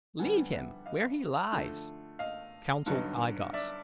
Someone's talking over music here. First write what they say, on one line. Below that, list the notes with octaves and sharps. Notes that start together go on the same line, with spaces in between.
"Leave him where he lies," counseled I-Gos.
F2 D3 G3 B3 F#5 G#5
E5 F#5
D#5 F5
D3 F3 A3
D#5 F5
G2 D3 F#3 B3 D#4
D5 E5